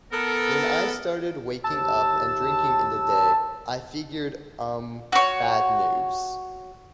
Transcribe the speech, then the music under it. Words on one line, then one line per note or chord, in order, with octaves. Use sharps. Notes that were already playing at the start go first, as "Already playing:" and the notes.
When I started waking up and drinking in the day, I figured-umm, bad news.
B3 A4 A#4
D#2 A5 E6
F#4 C#5